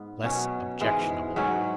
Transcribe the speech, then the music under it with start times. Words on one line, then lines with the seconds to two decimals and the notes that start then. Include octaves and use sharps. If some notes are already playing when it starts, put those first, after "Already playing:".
Less objectionable.
Already playing: G#2 B3
0.24 B2 F#3 C#4
0.81 G#2 E3 G#3
1.36 G#2 F#3 C#4